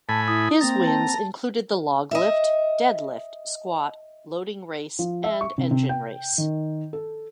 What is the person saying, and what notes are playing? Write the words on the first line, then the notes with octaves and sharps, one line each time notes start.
His wins included the log lift, deadlift, squat, loading race and engine race.
A2 G#5 A5 B5 A6
E4 D#6
A#3 C4 A#5 A6
A5 A6
D#5 E5
F3
E5
C#6
C3
C3
G5
D#3
A4